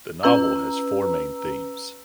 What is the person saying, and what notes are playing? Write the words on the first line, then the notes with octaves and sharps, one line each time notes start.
The novel has four main themes.
C#4 B4 A#5 E6